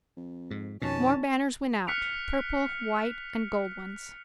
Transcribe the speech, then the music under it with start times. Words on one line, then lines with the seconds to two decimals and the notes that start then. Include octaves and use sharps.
More banners ,went out,-purple, white and gold ones.
0.17 F2
0.51 G#2
0.82 F2 B2 D#3 C#4 A5
1.87 F6 F#6 B6 C#7 D7 F7